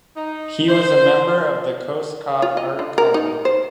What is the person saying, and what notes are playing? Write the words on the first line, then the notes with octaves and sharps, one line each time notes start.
He was a member of the Cos Cob Art Colony.
D#4
C5
F4
D#5
D3
A#4
D#4
C5